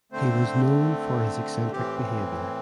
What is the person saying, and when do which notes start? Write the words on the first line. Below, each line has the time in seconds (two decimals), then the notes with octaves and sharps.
He was known for his eccentric behavior.
0.12 D3 A3 C4 C5
1.72 A2 E3 C4 G4